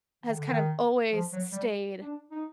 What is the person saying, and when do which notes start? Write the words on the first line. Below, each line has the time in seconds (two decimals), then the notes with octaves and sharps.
has kind of always stayed
0.24 D#3
0.35 D3
0.47 D#3
1.13 F3
1.32 F#3
1.52 G3
2.02 D4
2.31 D#4